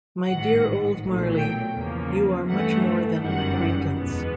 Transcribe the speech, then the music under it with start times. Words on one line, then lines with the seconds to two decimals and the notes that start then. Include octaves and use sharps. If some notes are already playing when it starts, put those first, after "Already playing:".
My dear old Marley, you are much more than an acquaintance.
0.26 A1 G#2 D#3 F#5
1.01 B1 A#2 F#3 A3
1.38 G5
1.75 E2 C#3 F3 A#3
2.49 G2 E3 A3 F#5
3.23 G1 F#2 D#3 G3 F#5
3.98 E2 B2 G#3 B3